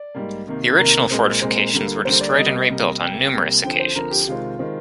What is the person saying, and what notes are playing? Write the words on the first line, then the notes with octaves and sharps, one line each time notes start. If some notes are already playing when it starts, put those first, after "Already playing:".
The original fortifications were destroyed and rebuilt on numerous occasions.
Already playing: D5
G#2 G3 A#3
C3 D#3 A#3
C3 D#3 A#3 A#4
A#2 G#3 C4
A#2 G#3 C4
D3 G3 A#3
D3 G3 A#3 C5
D5
C3 G3 A#3 D#5
C3 G3 A#3
C3 G3 A#3 G5
C3 G3 A#3
D3 F3 C4 G5
C5
D3 F3 C4 A#4
G4
C3 D#3 G#3 C4 F4
C3 D#3 G#3 C4